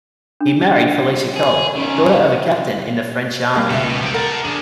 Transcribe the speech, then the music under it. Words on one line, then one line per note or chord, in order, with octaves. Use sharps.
He married Felicia Colle, daughter of a captain in the French Army.
D4
G#4
D#3 B3 C#4
G3 A#3 G4
C#2 B2 E5
B2
F3 G5
A#4 F#5 A5
D4 G#4 D#7